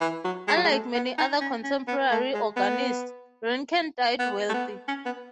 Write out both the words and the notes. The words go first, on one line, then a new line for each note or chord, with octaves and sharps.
Unlike many other contemporary organists, Reincken died wealthy.
E3
F#3
G#3
F#3
G#3
A3
B3
D#4
C#4
C#4
B3
A3
G#3
B3
B3
A3
B3
C#4
B3